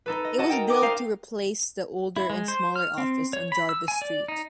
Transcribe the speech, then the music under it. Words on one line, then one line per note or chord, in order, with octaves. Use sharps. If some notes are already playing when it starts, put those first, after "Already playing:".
It was built to replace the older and smaller office on Jarvis Street.
D#4 A4 B4
D#5
F#4 D#5 A5
A#4 G5
G5 D6 D#6
D4 D#4 C5 F5
E4
G#3
C5
F6
C4
C#5
B5
E6
G#5
D5
D#4